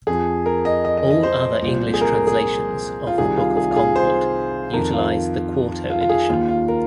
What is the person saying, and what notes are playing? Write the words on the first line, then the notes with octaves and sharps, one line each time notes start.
All other English translations of "The Book of Concord" utilize the quarto edition.
F2 F3 G#4
A#4
D#5
D#5
D#5
D#5
C5
C2 A#2 F3
G#4
A#4
A#4
G#4
F4
C2 C3 D#3 G#4
F4
G#4
F4
G#4
C5
F2 D#3 A#4
F4
F4
F4
G#4
D#2 D#3 F4
F4
A#4